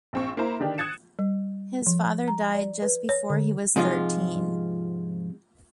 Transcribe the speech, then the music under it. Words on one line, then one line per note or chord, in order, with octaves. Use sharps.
His father died just before he was thirteen.
A#1 C4 C#6
A#3 E4 C5 A#5
D3 D#3 D4 G4
D#6 F#6 G#6 A6 C#7 E7
G3
F3
A#5
D5
B4
C#5
D3
G#2 C3 F3 G#3 F4